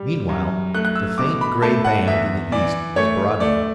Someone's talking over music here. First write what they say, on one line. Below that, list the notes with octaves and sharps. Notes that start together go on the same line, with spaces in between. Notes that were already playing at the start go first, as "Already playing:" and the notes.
Meanwhile, the faint gray band in the east was broadening.
Already playing: G3
F#2
A3 F#6
F#6
E6
B2 D6
B5
A3 A5
F#5
E2 E5
E3 D5
A3 C#5
A3 D5